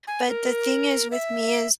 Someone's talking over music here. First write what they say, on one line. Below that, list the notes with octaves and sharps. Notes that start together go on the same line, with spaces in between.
But the thing is with me is
G#5
A#4
E5